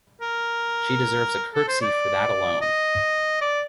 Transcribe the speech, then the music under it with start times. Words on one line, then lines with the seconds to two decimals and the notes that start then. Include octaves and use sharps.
She deserves a curtsy for that alone.
0.22 A#4
1.55 A4
1.68 C5
1.81 D5
2.61 D#5
3.41 D5